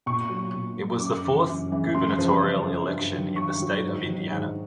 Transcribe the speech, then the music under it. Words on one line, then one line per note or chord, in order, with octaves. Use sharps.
It was the fourth gubernatorial election in the State of Indiana.
A#2 C#6
F#3
A#2
F#3
F#2 D6
C#3 E3
F#2
C#3 E3
F#2 C6
C#3 F3
F#2
C#3 F3
G2
D#3 F#3
G2 C#6
D#3 F#3
G#2
D#3 F#3
G#2